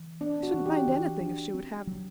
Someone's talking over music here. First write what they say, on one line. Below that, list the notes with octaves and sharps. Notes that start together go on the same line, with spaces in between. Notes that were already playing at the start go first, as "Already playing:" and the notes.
I shouldn't mind anything if she would have me.
Already playing: E3
B3 D4
F#4
E3
G4
E3
D4
C4
F#3